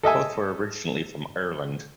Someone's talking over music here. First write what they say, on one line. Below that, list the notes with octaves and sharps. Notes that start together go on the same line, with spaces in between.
Both were originally from Ireland.
A4 D#5 E5 G#5